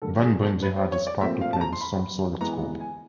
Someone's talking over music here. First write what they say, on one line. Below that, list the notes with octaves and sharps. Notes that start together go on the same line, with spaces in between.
Van Bunge had his part to play with some solid scores.
D3 G3 A#3 A4
G#4
A4
B4
C5
C#5
D5
A#2 F3 A3 C4 E5
F5
A5
A#5
C6
B5
E3 G#3 B3 A#5
G#5